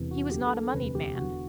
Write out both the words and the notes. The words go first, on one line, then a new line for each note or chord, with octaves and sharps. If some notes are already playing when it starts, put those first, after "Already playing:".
He was not a moneyed man.
Already playing: E1 E2 C3 E3
F#4
D2 D3 F#3 G4
A4
A4
E1 D2 C3 B4
G4
E1 E2 D3 F#4